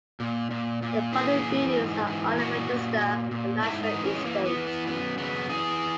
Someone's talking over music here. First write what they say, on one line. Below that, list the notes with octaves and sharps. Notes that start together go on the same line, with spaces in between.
The following buildings are on the Register of the National Estate.
A#2
A#2
A#2
E3 G#4
E3
G#2
E3
A#2 F#4
A#2
A#2
A#2
G#2 E4
D#4
E3
C#4
G#3
E3 A#3
B3
E3
B3
F#2 B3
C#3 B3
E3 G#4